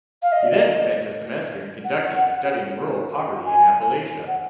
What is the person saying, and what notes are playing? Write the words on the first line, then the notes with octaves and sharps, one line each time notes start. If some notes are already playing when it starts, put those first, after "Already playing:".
He then spent a semester in Kentucky studying rural poverty in Appalachia.
F5
D#5
D5
D#5
F#5
G#5
F#5